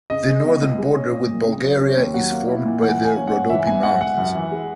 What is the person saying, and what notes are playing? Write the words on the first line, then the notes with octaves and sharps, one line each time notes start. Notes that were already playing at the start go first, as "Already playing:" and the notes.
The northern border with Bulgaria is formed by the Rhodope Mountains.
C#3 D#5
G#3
B3
C#2
G#3
C#4
A#2
A#2
C#3
F#3
C#4
D#2
F#3 F#5
A#3
E4
A#2
E3 F#5
A#3
G#5
C#4
F#5
G#2
E3 E5
B3 G#5
G#2 F#5
G#2 F#5
F#2
E3
G#3